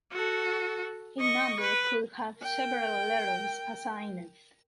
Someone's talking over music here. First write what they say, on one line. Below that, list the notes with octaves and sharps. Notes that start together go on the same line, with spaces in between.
A number could have several letters assigned.
F#4 A4
D#5 C#6
B4
A#4 G5